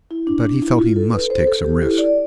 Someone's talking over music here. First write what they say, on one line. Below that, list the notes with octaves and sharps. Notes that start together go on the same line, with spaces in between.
But he felt he must take some risks.
E4
D4
D4
E4
F4
A4
B4
C5
A4
G4
E4
D5